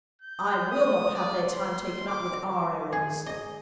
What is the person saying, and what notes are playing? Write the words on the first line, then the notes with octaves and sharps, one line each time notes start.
I will not have their time taken up with our errands.
G6
D#6
D5
C6
D6
G#4
D#5